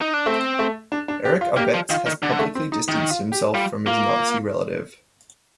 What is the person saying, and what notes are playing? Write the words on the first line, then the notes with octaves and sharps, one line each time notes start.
Eric Abetz has publicly distanced himself from his Nazi relative.
D#4
D4
A3 C4
A3
D4
D4
G4
F4
A#3 G4
F3
D#3 F4
D#3
D3 D4
A3
C4
D#4
D#3 D#4
F4
G4
G3 F4
A#3 F4